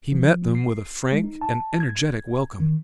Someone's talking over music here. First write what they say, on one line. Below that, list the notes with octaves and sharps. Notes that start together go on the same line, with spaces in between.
He met them with a frank and energetic welcome.
F3
C7
G#3
D#4
A5
G#6
D#3